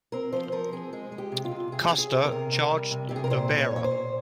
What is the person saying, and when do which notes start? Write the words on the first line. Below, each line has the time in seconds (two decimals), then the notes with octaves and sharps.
Custer charged the bearer.
0.12 C4 A#4
0.33 F3 C5
0.52 F3 A#4
0.72 C4 G#4
0.93 G#3 G#4
1.12 G#3
1.18 G4
1.32 C3
1.45 F4
1.51 C3
1.72 C3 G#4
1.92 C#4
1.98 G#4
2.12 C3
2.25 A#4
2.32 C3
2.52 C3
2.71 G3
2.91 C3
3.09 C3 G4
3.16 G#4
3.24 A#4
3.30 A#2 C5
3.50 C#4
3.58 C#5
3.71 A#2
3.76 C#5
3.84 C5
3.91 A#2